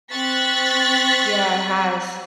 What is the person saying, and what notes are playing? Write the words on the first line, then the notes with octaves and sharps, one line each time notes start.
Yeah, it has.
C4 C#6 F#6 A6 B6